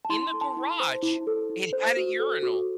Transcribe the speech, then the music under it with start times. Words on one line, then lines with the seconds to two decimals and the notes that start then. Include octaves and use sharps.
in the garage, it had a urinal.
0.05 A5
0.09 E4 C6
0.33 A4
0.41 A5
0.57 E4
0.80 C5
1.03 E4
1.27 A4
1.50 E4
1.73 C5
1.97 F#4
2.20 A4
2.43 F#4